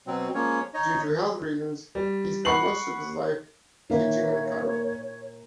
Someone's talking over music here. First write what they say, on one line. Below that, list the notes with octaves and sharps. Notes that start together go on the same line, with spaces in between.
Due to health reasons, he spent most of his life teaching in Cairo.
B2 F#3 C4
F3 G#3 A#3 C#4 C#5
D#4 C#5 D#5
G3
F#5 B5 C#6 C7 F#7
A#2 D#3 A#3 E4 C#5